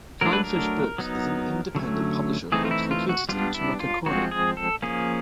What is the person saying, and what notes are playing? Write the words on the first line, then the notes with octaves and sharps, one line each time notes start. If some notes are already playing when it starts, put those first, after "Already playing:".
Flying Fish Books is an independent publisher of books, located in Tumacacori.
F#3 A3 D4 A#4
B4
A#4
F#3 B3 D#4
D3 F#3 A3 C#4
E3 A3 C4 D#4 G#4
F4
E4
F4
F#4
G3 B3 D4 F4
E4
F4
F3 G#3 C4 F#4
G#4
A4
F3 A#3 C#4 G#4